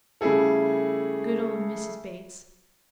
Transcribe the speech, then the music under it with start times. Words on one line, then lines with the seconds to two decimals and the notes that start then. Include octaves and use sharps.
Good old Mrs. Bates.
0.21 C#3 G3 A3 E4 G#4 A4